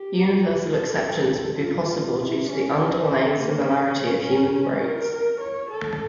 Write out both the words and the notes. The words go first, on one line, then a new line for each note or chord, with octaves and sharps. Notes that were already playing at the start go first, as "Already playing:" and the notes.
Universal acceptance would be possible due to the underlying similarity of human brains.
Already playing: G4
F4
A4
A4
F4
E4
C#4
A#3
C#4
C#4
C#4
A#4
C#5
A4